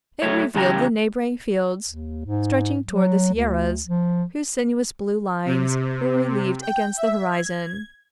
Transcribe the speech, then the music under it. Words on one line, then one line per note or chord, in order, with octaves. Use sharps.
It revealed the neighboring fields, stretching toward the sierras, whose sinuous blue lines were relieved against the horizon.
F#3 A3 C#5
E2 C#3 G4 A5 A#5
D#2
G#2
F#3
D2
F3
C3
G5
E5
G#6